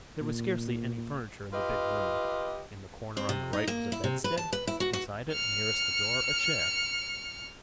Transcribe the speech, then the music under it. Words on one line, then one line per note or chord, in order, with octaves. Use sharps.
There was scarcely any furniture in the big room: in the corner on the right was a bedstead, beside it, nearest the door, a chair.
A#2
F4 G4 B4 D#5
C4
C3
D#4
A#3
E4
C3
B4
A5
B4
E4
F#4
F#4
F6 C#7